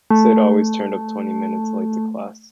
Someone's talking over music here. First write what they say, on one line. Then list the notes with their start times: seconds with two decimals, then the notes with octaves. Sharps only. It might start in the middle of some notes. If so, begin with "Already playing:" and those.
Sid always turned up twenty minutes late to class.
0.11 A3